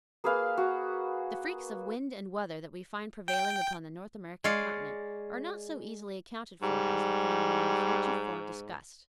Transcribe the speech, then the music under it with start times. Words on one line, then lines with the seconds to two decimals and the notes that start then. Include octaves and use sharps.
The freaks of wind and weather that we find prevailing upon the North American continent are not so easily accounted for as the phenomena heretofore discussed.
0.24 A#3 G#4 B4 F5
0.57 F#4
3.28 G5
4.44 G#3 C#5 D5 F5
6.62 G#2 G3